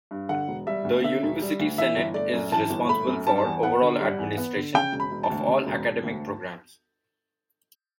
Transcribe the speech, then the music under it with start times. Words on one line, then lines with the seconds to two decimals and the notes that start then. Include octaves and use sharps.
The University Senate is responsible for overall administration, of all academic programs.
0.11 G2
0.29 D3 F#5
0.48 E1
0.67 G3 E5
0.84 D2
1.03 D3 E5
1.23 E1
1.41 G3
1.59 D2
1.78 E3 E5
1.97 G1
2.14 A3 D5
2.34 F#2
2.51 E3 A5
2.70 G1
2.89 A3 B5
3.07 F#2
3.27 G3 A5
3.45 E2
3.63 B3 F#5
3.82 D3
4.00 G3
4.18 E2
4.38 B3
4.56 D3
4.74 C#3 G5
4.92 E1
5.00 B5
5.11 E1
5.23 A5
5.30 D2
5.48 C#3
5.66 E1
5.86 E1
6.04 D2